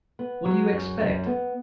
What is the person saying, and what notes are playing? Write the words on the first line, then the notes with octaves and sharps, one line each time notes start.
What do you expect?
B3
F#3
F#2
F#2
B3